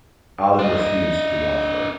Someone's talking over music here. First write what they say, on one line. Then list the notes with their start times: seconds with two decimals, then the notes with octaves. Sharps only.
Allen refused the offer.
0.59 D4 D#5